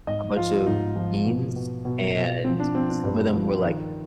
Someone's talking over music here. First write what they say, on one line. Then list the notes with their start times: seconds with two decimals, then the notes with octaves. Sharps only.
a bunch of beans and some of them were, like,
0.07 G#2 D#5
0.37 F3 F4
0.66 G#2 D#4
0.96 F3
1.26 B2
1.56 B2
1.85 B2
2.15 B2
2.44 F3 C4
2.60 D4
2.74 F3 C4
2.90 D4
3.04 G2
3.33 F3
3.64 D#3